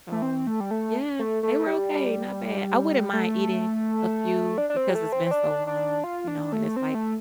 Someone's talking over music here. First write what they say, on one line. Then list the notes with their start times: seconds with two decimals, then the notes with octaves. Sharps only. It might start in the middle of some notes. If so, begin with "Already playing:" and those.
So, yeah, they were okay, not bad. I wouldn't mind eating a few because it's been so long, you know, and it's like
0.12 A3
0.22 C4
0.47 A3
0.60 G3
0.71 A3
1.19 A3
1.43 A3
1.67 G3
3.13 A3
4.58 D4
4.70 D4
4.77 C4
4.89 G3
4.95 A3
5.12 C4
5.26 C4
5.31 D4
5.67 D4
6.04 F4
6.28 D4
6.52 A3
6.76 C4
6.94 A3